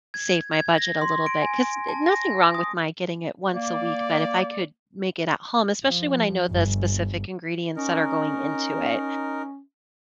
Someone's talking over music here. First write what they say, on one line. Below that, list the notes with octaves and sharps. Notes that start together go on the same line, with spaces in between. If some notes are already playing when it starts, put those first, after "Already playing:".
save my budget a little bit, 'cause nothing wrong with my getting it once a week, but if I could make it at home- especially when I know the specific ingredients that are going into it-
G#6
G#6
A#6
C6
D7
G#5
A5
A#6
D#6
A#3 D5
F3
G1
C#4 D#4 A#4